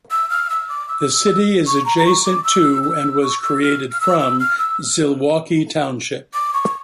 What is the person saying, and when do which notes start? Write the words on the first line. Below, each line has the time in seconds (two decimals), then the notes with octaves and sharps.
The city is adjacent to and was created from Zilwaukee Township.
0.11 E6
0.30 F6
0.50 E6
0.69 D6
0.89 E6
1.14 E6
1.67 C#6
1.86 A#5
1.98 A#5
2.06 C#6
2.25 D6
2.44 E6
2.83 E6
3.23 C#6
3.42 E6
3.62 F6
3.92 F6
4.01 E6
4.20 E6
4.40 F6
4.59 E6
6.34 D6
6.54 C#6